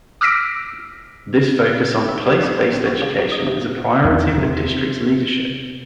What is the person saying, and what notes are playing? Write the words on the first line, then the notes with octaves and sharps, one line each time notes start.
This focus on Place-Based Education is a priority of the district's leadership.
D6 E6 F6 A#6 B6 D7
E5
G3
D4
C6
C4
F#4
C#3
F#3
D#5
C3
E2
C3